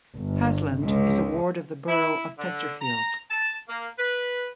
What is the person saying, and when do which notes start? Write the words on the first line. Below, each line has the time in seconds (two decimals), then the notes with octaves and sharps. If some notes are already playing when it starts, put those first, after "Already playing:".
Hasland is a ward of the Borough of Chesterfield.
0.14 G1
0.85 C#2
1.88 E4
2.39 D3
2.82 A#5
3.31 A5
3.69 A#3
3.99 B4